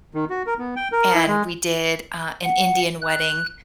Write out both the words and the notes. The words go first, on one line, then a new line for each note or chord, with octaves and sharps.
and we did, uh, an Indian wedding
D#3
F#4
A#4
B3
G5
A#4
E4
G#3
F#5
F#6